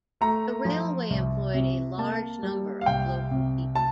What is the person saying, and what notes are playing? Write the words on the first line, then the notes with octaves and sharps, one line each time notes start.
The railway employed a large number of local people.
A3 A#5
F3
C2
C3
A#3 A5
G3
F5
C2 G5
C3
A5